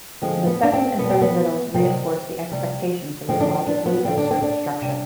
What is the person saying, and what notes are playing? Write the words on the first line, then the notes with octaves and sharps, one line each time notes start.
The second and third riddles reinforce the expectation for this logically absurd structure.
D3 F3 G#3 C4
B3
D4
C4
B2 G3 B3
C4
B3
C3 D#3 G3 C4
C3 G3
D3 F3 G#3 C4
D4
C4
D4
B3
D3 G3 C4
D4
C4
D4
C3 G3